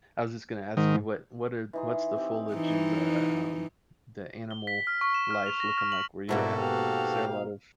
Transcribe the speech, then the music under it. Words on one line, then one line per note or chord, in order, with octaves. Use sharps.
I was just gonna ask you what what are what's the foliage in the, um, the animal life looking like where you're at? Is there a lot of
G#2 D#3
E3 D#4 C6
C4 G4
E3 D#4
G7
B6
F6
C#6
E7
F6
F7
A#6
F6
F#7
G#2 B2 A#3 E4 F#4 A4 D5
G4 F5